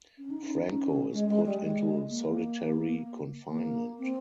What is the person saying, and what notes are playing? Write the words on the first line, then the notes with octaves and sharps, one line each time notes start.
Franco is put into solitary confinement.
C#4
D#4
C#4
D#4
C#4
G#3
G#3
G3
G#3
A#3
A#3
C4